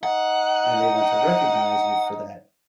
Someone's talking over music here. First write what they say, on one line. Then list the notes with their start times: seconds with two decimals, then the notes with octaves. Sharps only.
and they want to recognize you for that.
0.03 D#4 F#5